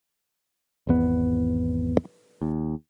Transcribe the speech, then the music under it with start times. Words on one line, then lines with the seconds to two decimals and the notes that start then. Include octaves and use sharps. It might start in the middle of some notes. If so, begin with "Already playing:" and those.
Sometimes several towns united to hold one in common.
0.87 G#1 E2 B3
2.42 D#2